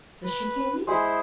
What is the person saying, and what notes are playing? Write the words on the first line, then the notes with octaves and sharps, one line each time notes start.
So she came in.
B4
G#3 E4 G#4 C5